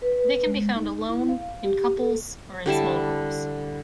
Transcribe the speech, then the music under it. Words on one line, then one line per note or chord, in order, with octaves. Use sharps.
They can be found alone, in couples or in small groups.
B4
G#3
D#4
E4
F5
G4
A4
D3 G3 E4 A5